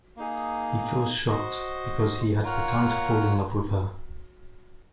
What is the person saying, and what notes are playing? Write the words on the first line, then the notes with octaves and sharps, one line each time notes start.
He feels shocked, because he had begun to fall in love with her.
A#3 D#4 G#4
F#4 C5 D#5
F4 A#4 C#5 F#5